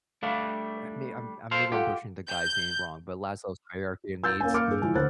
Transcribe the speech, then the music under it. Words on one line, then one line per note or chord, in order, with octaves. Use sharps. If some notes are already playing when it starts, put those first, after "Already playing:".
I mean, I'm I'm maybe I'm pushing the guy's name wrong, but Laszlo's hierarchy of needs.
G3 A3 D4 F5
A4 C5 F5
F4 G4 A4 F#5
G6
E6 G6 A6
A#3 C#4 G#5
A#3 D6 F6 C#7
G2 G#4
E3 F3 G#3 G#5
D2 C5 F#6 A6